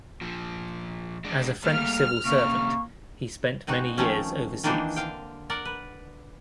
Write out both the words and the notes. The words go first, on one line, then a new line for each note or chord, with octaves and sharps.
As a French civil servant, he spent many years overseas.
A#2 F3
G#3 D4
G3 A3 A#3 F6
C3 A#3 C#4 C#6
G#3 C4 D#4 F#4
D#3 F3 A3 C4 C#4
D#3 E3 A#3 D4 D#4 C5
D3 F5 G5
A#4 D5 F#5
B4